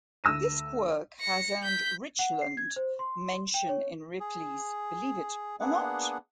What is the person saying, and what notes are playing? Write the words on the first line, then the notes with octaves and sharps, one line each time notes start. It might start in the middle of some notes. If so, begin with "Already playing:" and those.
This quirk has earned Richland mention in Ripley's Believe It or Not!
D2 E6 A#6 D#7
A#6 C#7
G6 B6
F#5
C7
G#6
C5
C6
G5
C#5
G#4
A#3 B3 D4 G#4 F#5